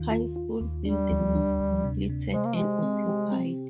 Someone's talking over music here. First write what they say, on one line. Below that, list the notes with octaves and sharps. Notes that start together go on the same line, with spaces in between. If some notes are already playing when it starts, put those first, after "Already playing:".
High School building was completed and occupied.
Already playing: D#2 D#3 F4
F4
F4
D#2
G3 D4
D2
D4
D2
C3
C3
G#3 C5
A#3
G#3 G4
C4
G4
C4